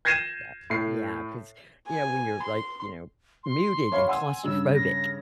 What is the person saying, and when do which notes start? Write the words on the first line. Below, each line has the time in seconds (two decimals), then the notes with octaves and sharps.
Yeah. Yeah, 'cause, you know, when you're, like, you know, muted and claustrophobic,
0.05 G6 G#6 A#6 C7 D#7 E7
0.70 A2 C7
1.87 G#5
2.42 C6
3.44 C6
3.92 C#5 F5 B5
4.08 F#5 G#5 C6 E6
4.43 G2 C#3 E6
4.74 A#6